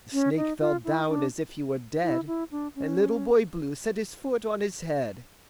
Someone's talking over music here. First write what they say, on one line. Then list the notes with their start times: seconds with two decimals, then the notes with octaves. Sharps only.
The snake fell down as if he were dead, And Little Boy Blue set his foot on his head.
0.13 C#4
0.37 D#4
0.60 F4
0.84 E4
1.09 D4
2.04 E4
2.27 E4
2.51 D4
2.75 C#4